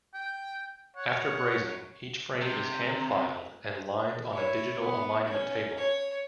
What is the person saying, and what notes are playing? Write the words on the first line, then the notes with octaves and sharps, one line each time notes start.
After brazing, each frame is hand filed and aligned on a digital alignment table.
G5
C#5 F#5
C3
E4 C#5
B3
C#4
C#5